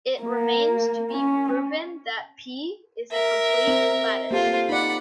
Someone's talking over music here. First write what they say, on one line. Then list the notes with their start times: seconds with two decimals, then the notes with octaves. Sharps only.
It remains to be proven that P is a complete lattice.
0.22 A#3
1.12 C#4
3.12 A#4 E5
3.68 C4
4.31 A#3 F4 G4 A4 C5
4.69 D#4 D5 F#5 B5